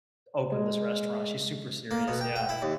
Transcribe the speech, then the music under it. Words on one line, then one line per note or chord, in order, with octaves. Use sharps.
open this restaurant, she's super serious, yeah,
G#3
A#3
B2
G5
G5
E4
D#2